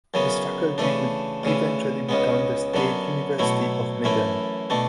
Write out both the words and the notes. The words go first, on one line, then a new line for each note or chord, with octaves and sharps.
This faculty would eventually become the State University of Medan.
F#2 C#3 F#3 B3
C#3 E3 A3 D4
D2 C#3 E3
C#2 C#3 G#3 B3
F#2 D3 F#3 B3
B2 F#3 A3 E4
F#2 E3 A3 E4
B2 A3 D4